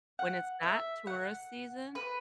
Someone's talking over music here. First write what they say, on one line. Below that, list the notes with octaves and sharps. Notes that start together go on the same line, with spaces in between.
when it's not tourist season,
F#5
E5
F#5
B4